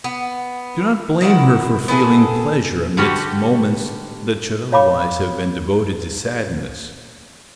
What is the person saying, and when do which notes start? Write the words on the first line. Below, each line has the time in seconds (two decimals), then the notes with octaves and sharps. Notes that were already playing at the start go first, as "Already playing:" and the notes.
Do not blame her for feeling pleasure amidst moments that should otherwise have been devoted to sadness.
0.04 B3
1.21 D#3 E4 B4 F#5
1.88 B3 E4 G#4 A4
2.97 D3 G3 F#4 G4
4.72 C#5 F5 B5 D6